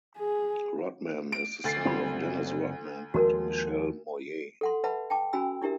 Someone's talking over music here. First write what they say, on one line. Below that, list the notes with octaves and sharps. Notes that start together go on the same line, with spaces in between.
Rodman is the son of Dennis Rodman and Michelle Moyer.
G#4
D7
D2 A6 C7
F#1 G3 C4 F4 B5
D#2 F3 G#3 F#4 A#4
A4 F#5 C6
B4 E5 F#5 A5 B5
G5 A5 D6
C#4 F#4 G#5 B5 E6
D4 E4 G4 A#4 E5